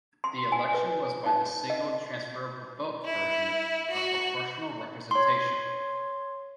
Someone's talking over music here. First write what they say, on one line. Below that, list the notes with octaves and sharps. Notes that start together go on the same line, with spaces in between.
The election was by the single transferable vote version of proportional representation.
C6
G#5
B4
D#4
D#5
E4
F#4
C#5 C6